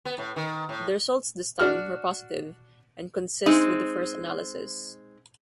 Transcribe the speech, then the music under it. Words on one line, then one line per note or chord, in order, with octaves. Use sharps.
The results this time were positive and consist with the first analysis.
B3
A2
D#3
A2
D4 F#4 F6
G#3 C4 D#4